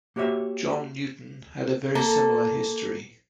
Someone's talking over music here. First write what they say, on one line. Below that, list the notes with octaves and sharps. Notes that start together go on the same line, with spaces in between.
John Newton had a very similar history.
A#3 F#4 G4 C#5 E5
A#3 A4